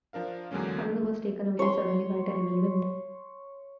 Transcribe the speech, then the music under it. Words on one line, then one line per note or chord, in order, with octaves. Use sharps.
Another was taken away suddenly by a terrible wind.
F3 D4 A#4 F5
E2 D3 F#3 G#3 A#3 C#4
C#5 C6